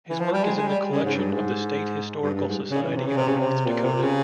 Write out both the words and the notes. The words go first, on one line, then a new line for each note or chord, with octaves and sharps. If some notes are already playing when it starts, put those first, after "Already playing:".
His work is in the collection of the State Historical Society of North Dakota.
E3
F3
G3
G#3
G#3
G3
C#3
G#2
G2
G#2
G2
G2
G#2
C#3
E3
C3
C#3
C3
C#3
C3
A#2
C3
C#3